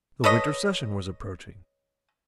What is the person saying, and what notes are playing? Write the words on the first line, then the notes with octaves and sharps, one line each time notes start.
The winter session was approaching.
A4 B4 C#5 D#5